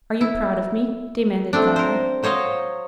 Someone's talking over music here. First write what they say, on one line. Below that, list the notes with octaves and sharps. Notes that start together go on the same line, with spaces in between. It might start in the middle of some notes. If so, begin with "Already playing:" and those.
"Are you proud of me?" demanded Dolly.
E4
A3 C4 D4
A#4 C5
F#3 C5 C#5 D#5 F5